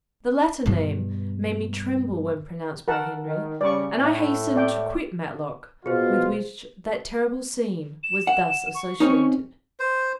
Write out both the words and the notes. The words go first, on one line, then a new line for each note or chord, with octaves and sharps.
The latter name made me tremble when pronounced by Henry, and I hastened to quit Matlock, with which that terrible scene was thus associated.
G2 B2
A#4 F#5 A5
D#3
C#3 G3 D5 C#6
A2 A3 G#5
D5 G5
B2 F4 G#4 C5
E7
F#5
C#6
C4 C#4 D#4
C5